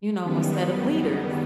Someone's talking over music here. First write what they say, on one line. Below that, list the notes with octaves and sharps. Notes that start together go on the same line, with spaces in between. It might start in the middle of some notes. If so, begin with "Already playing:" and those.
you know, instead of leaders,
F#2 D#3 G3 B3